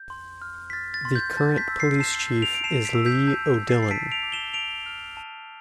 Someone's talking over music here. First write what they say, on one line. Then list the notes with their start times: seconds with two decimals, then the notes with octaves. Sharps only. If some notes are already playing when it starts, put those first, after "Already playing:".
The current police chief is Lee O'Dillon.
Already playing: G6
0.10 C6
0.42 F6
0.70 B6
0.73 F6 A6
0.94 A6
1.05 C6
1.15 G6
1.37 A5 A6
1.58 G6 B6
1.68 E6
1.79 A6 C7
2.00 A5 C7 E7
2.31 G6
2.42 D7 F7
2.55 D7
2.64 A5 C7 E7
2.85 B6 D7
2.95 E6
3.06 G6 B6
3.27 A5 G6
3.59 G6
3.69 A6 C7
3.83 C7
3.91 A5 B6 D7
4.12 D7 F7
4.23 D6
4.32 E7 G7
4.53 A5 D7 F7
4.86 F6
5.17 A5